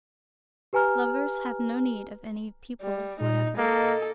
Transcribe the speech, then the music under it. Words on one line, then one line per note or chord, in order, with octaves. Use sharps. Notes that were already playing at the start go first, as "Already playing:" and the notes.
Lovers have no need of any people whatever.
G4 B4 G#5 A#5 F6
G3
A#2 D#4
A#3 A4 D#5